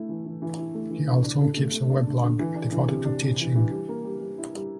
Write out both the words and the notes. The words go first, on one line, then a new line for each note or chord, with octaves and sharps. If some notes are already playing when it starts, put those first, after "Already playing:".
He also keeps a weblog devoted to teaching.
Already playing: A3 E4
E3
E3
E3
E4
A3
E3
D3
D4
A4
A3
A3
D4
D3
D3
E3
D4
E3
C3
D4
C3
E3
E3
G3
A#3
G3
G3
E4
G3